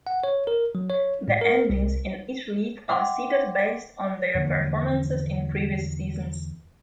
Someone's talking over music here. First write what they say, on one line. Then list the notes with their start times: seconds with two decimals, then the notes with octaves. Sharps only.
The engines in each league are seeded based on their performances in previous seasons.
0.07 F#5
0.24 C#5
0.47 A#4
0.75 F#3
0.90 C#5
1.28 A2
1.41 A#4
1.70 C2
2.88 E5 F#5 G5 C6 D6
4.35 E2 D3 F3 A#3